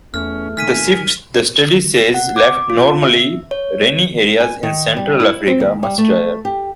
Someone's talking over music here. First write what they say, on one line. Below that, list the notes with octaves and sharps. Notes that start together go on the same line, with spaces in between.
The shift, the study says, left normally rainy areas in Central Africa much drier.
E2 A3 C#4 F6
D#3 G#5 F6 B6 D#7
F#5
D6
F4
E5
C#5
G#5
D#3
G3
E4
C4
D#2
G3
A3
G4